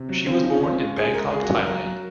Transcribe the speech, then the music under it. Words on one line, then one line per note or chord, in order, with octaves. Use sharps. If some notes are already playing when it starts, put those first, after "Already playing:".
She was born in Bangkok, Thailand.
Already playing: C3
F#3
C#3 C4
F3 D#4
C#4
C#3 C4
C#4
G#3
G#3 G#4
G#3 A#4
A#4
C#3 G#4
F#4
C#3
A#4
F#3 A#4
F#3